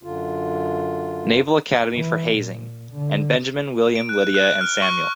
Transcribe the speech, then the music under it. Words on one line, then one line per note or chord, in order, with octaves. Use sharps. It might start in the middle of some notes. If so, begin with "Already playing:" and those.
Naval Academy for hazing; and Benjamin, William, Lydia, and Samuel.
F#2 D3 F4
E3
A#2
D3
D7
F#6
F#6
F6
C#6